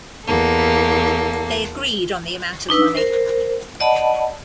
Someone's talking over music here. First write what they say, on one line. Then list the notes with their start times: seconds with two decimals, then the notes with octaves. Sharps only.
They agreed on the amount of money.
0.25 E2 A#3 A4
2.69 D4 D#4 B4 E6
2.95 A#4 C5
3.80 D5 D#5 F#5 A5 B5